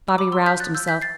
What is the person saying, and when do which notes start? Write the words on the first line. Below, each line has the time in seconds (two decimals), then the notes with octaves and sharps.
Bobby roused himself.
0.09 E6
0.18 B5 D6
0.32 C6 E6
0.46 G6 B6
0.60 F#6 A6
0.75 E6 G6
0.88 G6 B6
1.02 A6 C7